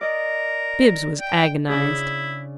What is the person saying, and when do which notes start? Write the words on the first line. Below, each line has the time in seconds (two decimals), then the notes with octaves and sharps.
Bibbs was agonized.
0.01 A#4 D5 D#5
1.20 G5
1.69 C#3 D4 E4 G#4